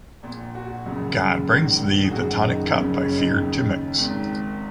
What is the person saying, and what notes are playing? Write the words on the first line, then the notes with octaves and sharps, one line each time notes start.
God brings thee the tonic cup I feared to mix.
A#1 A#2
F#4
F#1 F#2 C#3
A#1 G#2 D#3
G#4
F#1 F#2 D#3 F#4
D#4
F#1 F#2 C#3 C#4
C#4
D#4
D#2 C#3
G#1 G#2 D#3